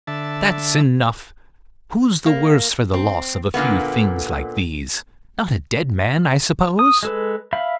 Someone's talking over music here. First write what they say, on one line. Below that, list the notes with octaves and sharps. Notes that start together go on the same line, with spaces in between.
"That's enough. Who's the worse for the loss of a few things like these? Not a dead man, I suppose."
D3 E5 A5
A#3
C4
A#2 D3 A#3 B3
D#6
G#3 A4 B4
E5 F5 B5